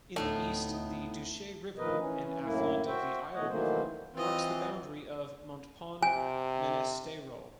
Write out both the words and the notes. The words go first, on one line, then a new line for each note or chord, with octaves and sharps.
In the East, the Duche River, an affluent of the Isle River, marks the boundary of Montpon-Ménestérol.
D2 A2 A3 B3 C4 D#4
D2 D#3 F3 A#4 B4 D#5
E3 C#4
F#2 A2 A#3 E4
F#4 C5 E5 G5
B2 E3 A3 C#5 D#5 F#5
D#3 E3 F#3 A3 A#3 C5
E3 C4 F4 D#5
C3 G#5